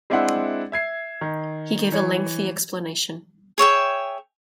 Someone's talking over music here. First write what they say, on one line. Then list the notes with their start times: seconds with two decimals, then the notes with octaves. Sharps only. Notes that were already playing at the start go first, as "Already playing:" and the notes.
He gave a lengthy explanation.
0.10 G#3 C4 D4 E4 E5 F#5
0.72 E5 G#6 C7
1.21 D#3
1.92 E3 C#5
3.58 G#4 C#5 E5 G5